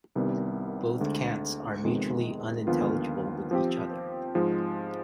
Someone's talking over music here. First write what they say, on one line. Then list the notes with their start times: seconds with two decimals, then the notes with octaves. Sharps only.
Both cants are mutually unintelligible with each other.
0.15 C2 C3 D#3 G3 B3
0.99 D2 D3 G#3
1.83 F2 C3 D#3 G#3 B3
2.67 D#2 D3 F3 B3 F4
3.51 F3 C4 G4
4.35 G#2 F3 G#3